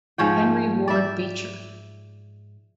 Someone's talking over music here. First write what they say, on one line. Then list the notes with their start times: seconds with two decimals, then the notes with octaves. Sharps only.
Henry Ward Beecher.
0.18 G#2 F3 C#5 G5
0.88 D5 E5